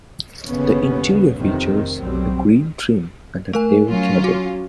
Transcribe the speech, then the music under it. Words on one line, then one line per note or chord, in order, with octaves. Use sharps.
The interior features a green trim and an airy cabin.
G1 D#2 C#3 B3 C#4
F1 C3 D#3
B1 F#3 G3 C4
A3 A#4 G#5
F#3 C#4 F4
F#4